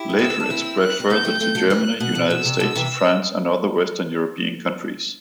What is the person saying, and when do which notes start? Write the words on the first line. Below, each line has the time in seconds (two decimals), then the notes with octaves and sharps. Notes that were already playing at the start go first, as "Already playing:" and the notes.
Later it spread further to Germany, United States, France and other Western European countries.
Already playing: E4 G4
0.10 A3
0.19 B3 E6
0.30 C4
0.40 D4
0.50 C4 E4
0.80 F#6
1.00 C4
1.10 B3 D4 G6
1.25 A3 C4
1.41 A3 C4
1.55 F#3 A3
1.70 E3 G3 F#6
2.00 B2 F#6
2.15 B2
2.30 B2 E6
2.45 C3
2.60 B2 D3
2.75 C3 E3